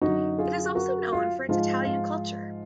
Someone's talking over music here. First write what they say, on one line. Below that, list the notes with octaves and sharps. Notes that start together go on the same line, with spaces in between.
It is also known for its Italian culture.
F#2 D3 F#3 D#4 F#4
F4 G#4
F#4 A#4
F4
G#2 F3 G#3 F4
F4